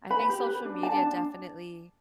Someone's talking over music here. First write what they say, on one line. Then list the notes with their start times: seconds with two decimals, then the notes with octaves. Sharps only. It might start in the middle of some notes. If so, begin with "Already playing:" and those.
I think social media definitely
0.10 B4 B5
0.29 G4
0.46 B4
0.65 D4
0.83 D4 A5
1.02 D4